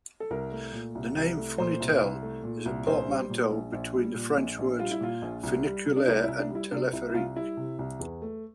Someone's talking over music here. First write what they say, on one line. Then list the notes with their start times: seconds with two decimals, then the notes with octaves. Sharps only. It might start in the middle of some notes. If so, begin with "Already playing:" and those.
The name "funitel" is a portmanteau between the French words "funiculaire" and "telepherique".
0.20 A4
0.31 C2 A#4
0.52 A3
0.73 A#2
0.95 C2
1.17 C2
1.37 A3
1.58 A#2 C5
1.80 C2
2.01 C2
2.22 A3
2.44 A#2
2.66 C2
2.87 A#1 C5
3.08 G3
3.30 A#2
3.51 A#1
3.73 A#1
3.94 G3
4.15 A#2
4.37 A#1
4.59 A#1
4.79 G3 F4
4.91 E4
5.01 A#2 F4
5.22 A#1
5.43 C2
5.65 G3
5.86 C3
5.96 D4
6.08 C2 E4
6.24 E4
6.28 C2
6.39 D4
6.50 G3 E4
6.71 C3 D4
6.93 C2 E4
7.09 E4
7.14 C2 F4
7.36 G3 E4
7.57 C3
7.79 C2
7.99 E2
8.22 A3